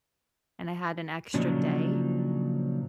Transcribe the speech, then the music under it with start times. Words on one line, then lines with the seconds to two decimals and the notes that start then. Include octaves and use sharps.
and I had an extra day.
1.34 A#2 C#3 F3 F#3 D4 D#4